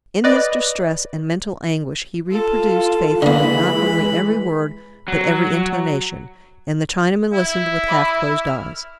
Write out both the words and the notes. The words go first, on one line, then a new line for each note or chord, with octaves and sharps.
In his distress and mental anguish he reproduced faithfully not only every word, but every intonation, and the Chinaman listened with half-closed eyes.
B4 D5 D#5
F4 A4
D3 E3 G#3 A#3 B5
F#3
E4 E5
D#5 B5 D6
F6